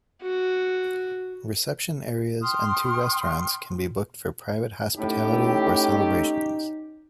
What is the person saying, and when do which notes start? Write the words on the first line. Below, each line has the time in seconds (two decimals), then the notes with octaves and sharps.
Reception areas and two restaurants can be booked for private hospitality or celebrations.
0.22 F#4
2.42 G5 C6 D#6 F6
4.96 A2 C#4 D#4 G4